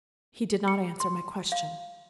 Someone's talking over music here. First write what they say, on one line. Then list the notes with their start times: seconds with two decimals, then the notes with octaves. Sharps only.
"He did not answer my question."
0.68 C#7
1.00 C6
1.52 F5